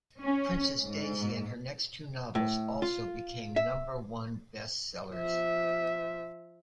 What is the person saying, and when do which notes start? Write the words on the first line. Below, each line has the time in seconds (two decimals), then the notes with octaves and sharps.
"Princess Daisy" and her next two novels also became number one bestsellers.
0.21 C#4
0.84 G#2
2.35 A2
2.82 F4
3.56 E5
5.13 F3 E5